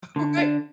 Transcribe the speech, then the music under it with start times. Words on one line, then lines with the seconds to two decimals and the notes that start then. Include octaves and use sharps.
All right.
0.16 D3
0.37 D4